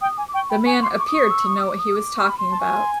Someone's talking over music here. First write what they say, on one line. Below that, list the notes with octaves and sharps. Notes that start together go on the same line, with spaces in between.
The man appeared to know what he was talking about.
G5 D#6
G#5 D6
D6
G5 C#6
G5 B5
G#5 C#6
C6
D6
C#6
D6 D#6
C#6
E6
D#6
D#6
D6
D#6
D6
C#6
B5
C6
A5
G#5 C#6
C6